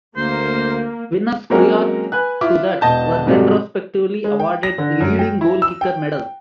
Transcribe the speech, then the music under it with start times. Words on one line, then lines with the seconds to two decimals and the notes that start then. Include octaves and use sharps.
Winners prior to that were retrospectively awarded Leading Goalkicker Medals.
0.17 D2 A#3 C5
1.50 F#3 G#3 A#3 C4 C#4 A#4
2.12 B4 G#5 F#6
2.41 E4 F4 D6
2.81 E1 D#5 A5 G6
3.27 G#2 C3 F#3 G3 A3
4.24 G#3
4.40 G5
4.63 A#6
4.78 D3
5.00 F#2
5.19 G5
5.41 E4
5.62 E6
5.81 G5